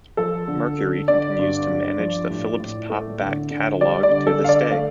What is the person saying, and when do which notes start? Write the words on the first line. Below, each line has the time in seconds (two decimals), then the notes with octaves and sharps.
Mercury continues to manage the Philips pop back catalogue to this day.
0.17 F3 A4
0.48 D3
0.79 D3
1.08 D3 D5
1.39 G2
1.69 G2
1.99 F3
2.30 A2
2.60 A2
2.90 A3
3.21 D3
3.51 D3
3.81 G3 D5
4.03 D5
4.11 D3
4.27 A4
4.42 D3 F5
4.49 D5
4.71 A3 F5